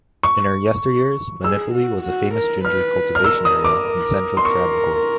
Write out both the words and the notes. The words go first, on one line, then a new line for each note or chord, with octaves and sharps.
In her yesteryears, Monippally was a famous ginger cultivation area in Central Travancore.
C#6
G#4 E6
F#4
F#4
A#4
B4 F6
F6
A#4 E6
D#6
D6
C6
A#4 C#6